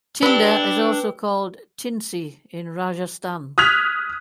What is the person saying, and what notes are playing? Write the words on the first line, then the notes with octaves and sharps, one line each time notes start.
Tinda is also called "tindsi" in Rajasthan.
D4 G4 B4 B5
D#6 F6 F#6 G#6 B6 F7